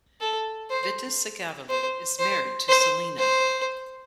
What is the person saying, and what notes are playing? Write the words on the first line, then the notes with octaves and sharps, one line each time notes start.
Vitusagavulu is married to Silina.
A4
C5
C5
C5
C5
C5